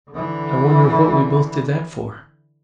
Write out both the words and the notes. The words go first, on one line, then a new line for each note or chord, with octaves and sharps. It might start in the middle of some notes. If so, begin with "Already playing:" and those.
"I wonder what we both did that for?"
D3 E3